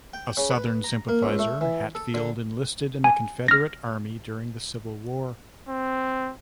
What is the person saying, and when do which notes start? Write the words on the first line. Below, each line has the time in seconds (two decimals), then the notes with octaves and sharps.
A Southern sympathizer, Hatfield enlisted in the Confederate Army during the Civil War.
0.14 G5
0.37 C#3
0.50 B4
0.84 A#5
1.09 A#3
1.23 C#2
1.39 A3
1.61 E3
1.95 A4
2.14 D3
3.04 G#5
3.48 F6 A#6
5.69 C4